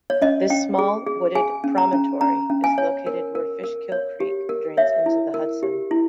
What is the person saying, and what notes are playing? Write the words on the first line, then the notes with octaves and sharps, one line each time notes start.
This small wooded promontory is located where Fishkill Creek drains into the Hudson.
C#5
C#4 D#5
C#4 G5
G#4
G#4
G#4 G#5
C#4
A#5
C#4
C#4 A#5
C#4
G#5
C#5
A#4
A#4
A#4
C#5
G4
A#4
C#5 E5
E4
A#4
G4
E4